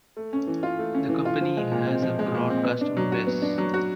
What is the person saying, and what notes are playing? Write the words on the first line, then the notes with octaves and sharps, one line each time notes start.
The company has a broad customer base.
A3
C#4
E3
F4
A3
C#4
E3
F4
F3
G#3
A#2
C4
F3
G#3
A#2
C4
B3
D4
F#3
F#4
B3
D4
F#3
F#4